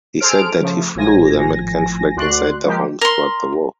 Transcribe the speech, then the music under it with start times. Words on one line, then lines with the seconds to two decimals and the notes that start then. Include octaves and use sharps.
He said that he flew the American flag inside the home throughout the war.
0.20 G#4 A4 C5 F6 D7
0.60 C#3 F3 A3
0.95 G#1 A2 F3 G#5 A#6
2.16 D2 F#4 D5 C6 F#6
2.65 F3 G#3 A#3 G4
3.01 A#4 C6